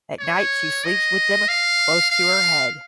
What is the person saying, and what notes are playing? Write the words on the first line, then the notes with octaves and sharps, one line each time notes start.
At night she sleeps with them close to her head.
C#5
D#5
F5
F5